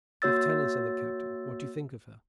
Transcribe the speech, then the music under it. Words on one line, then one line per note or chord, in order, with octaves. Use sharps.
"Leftenant," said the captain, "what do you think of her?"
A#3 F#4 C#5 E6 A6